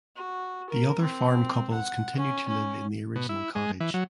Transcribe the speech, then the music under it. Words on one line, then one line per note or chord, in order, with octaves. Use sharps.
The other farm couples continued to live in the original cottage.
F#4
A#4
C4
F#5
C#4
C#4
B2
E4
G#3
E3
F#3